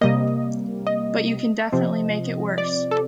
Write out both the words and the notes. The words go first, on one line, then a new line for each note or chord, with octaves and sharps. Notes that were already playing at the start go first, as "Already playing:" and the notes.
But you can definitely make it worse.
C3 G3 A#3 D#5
D#5
C3 F3 C4
D5
A4